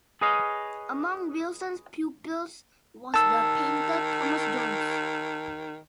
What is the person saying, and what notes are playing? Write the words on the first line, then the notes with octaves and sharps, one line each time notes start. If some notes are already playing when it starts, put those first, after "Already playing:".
Among Wilson's pupils was the painter Thomas Jones.
G#4 B4 C#5 D#5 F5
D#3 A5 E6